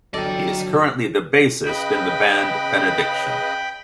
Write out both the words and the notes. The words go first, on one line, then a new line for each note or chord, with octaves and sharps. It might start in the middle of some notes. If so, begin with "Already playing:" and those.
He is currently the bassist in the band Benediction.
G1 F#3 A4 D5 D#5 G5
C#3 B4 D#5 G5 B5